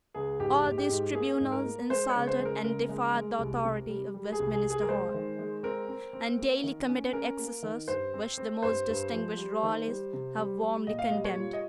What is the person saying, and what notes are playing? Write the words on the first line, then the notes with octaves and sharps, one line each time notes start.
All these tribunals insulted and defied the authority of Westminster Hall, and daily committed excesses which the most distinguished Royalists have warmly condemned.
C#2 G#4
G#2 G4
G#2
G4
G#2
A#3 G#4
G#2
A#4
A#3
G#3 C5
C#5
C#3
C5
G#3
A#4
C#3 A#4
G#3
G#3
C2
C3
G3
G3
G#4
C2
G#4
C2
G#4
A#4
G#3 C5
D#3
G#3
C4 A#4
C4
C4
A#3
D#3
C#4
C#4 A#4
A#3
D#3
G2 C5
C4
C4
G2 C5
G2
F3
G3
D#3
G3
C3
G3
G3
A#2 D#5
F5
G3 D#5
C#5
F4
D#5